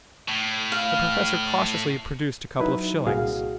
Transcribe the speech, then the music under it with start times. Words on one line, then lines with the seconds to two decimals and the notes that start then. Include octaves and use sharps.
The Professor cautiously produced a couple of shillings.
0.28 A2
0.72 F5
2.59 F#3 D#4 E4 B4
3.07 C2 A#2 F#4 G#4 F5